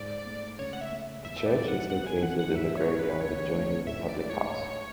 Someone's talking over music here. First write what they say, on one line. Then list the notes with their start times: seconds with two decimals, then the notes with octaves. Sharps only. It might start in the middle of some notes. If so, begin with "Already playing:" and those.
The church is located in the graveyard adjoining the public house.
Already playing: G#2 D5
0.26 A3
0.59 C#2 C#5
0.73 F#5
0.81 E5
0.92 A3
1.25 E2 E5
1.46 D5
1.57 F#3
1.68 F#5
1.90 E2 F#5
2.06 G#5
2.22 E3 F#5
2.39 F#5
2.55 G#2 E5
2.77 C#5
2.88 B3
2.99 B4
3.21 D2 C#5
3.53 A3
3.86 A1 E5
4.09 D5
4.20 G#3
4.30 C#5
4.52 A2